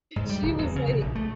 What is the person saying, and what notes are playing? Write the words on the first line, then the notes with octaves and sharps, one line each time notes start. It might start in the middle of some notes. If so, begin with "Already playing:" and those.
she was like,
G#2
G3
D1
E2
C#3
B1
A#1
A3